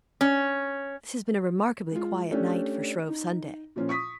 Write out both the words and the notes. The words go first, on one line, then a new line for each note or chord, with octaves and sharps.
This has been a remarkably quiet night, for Shrove Sunday!
C#4
G#3 F4
A3 C#4 D4 G4
D#4
A#2 F3 C#4 F4
C#6 D#6 B6